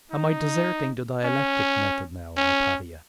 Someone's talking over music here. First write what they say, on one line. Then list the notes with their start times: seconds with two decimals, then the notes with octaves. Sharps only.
Am I deserting the dialectic method now, Hypatia?....
0.11 D#4
1.24 C#4
2.37 C#4